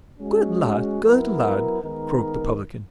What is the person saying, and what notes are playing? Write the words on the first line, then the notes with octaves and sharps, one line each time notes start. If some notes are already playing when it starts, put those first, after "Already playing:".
"Good lad! good lad!" croaked the publican.
G#3 C#4 F#4
F#3 B3 E4 A#4
D#3 G#3 B3 D#4 A#4